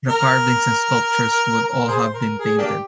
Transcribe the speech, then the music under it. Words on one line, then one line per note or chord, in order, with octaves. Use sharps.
The carvings and sculptures would all have been painted.
A#4
A#4
G#4 C5
A#4
G#4
A#3 D4 G4